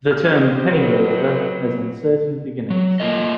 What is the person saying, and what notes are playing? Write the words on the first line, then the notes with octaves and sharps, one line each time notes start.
The term penny loafer has uncertain beginnings.
G4 C5 D#5 F6
F#3 A4 B4
F#3
A3 A#3 F4 A#4 D#5